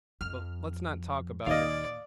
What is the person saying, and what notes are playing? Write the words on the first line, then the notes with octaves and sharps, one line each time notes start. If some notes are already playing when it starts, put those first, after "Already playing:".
But let's not talk about it.
F2 F6
D#2 A#2 D5 D#5 F5 G#5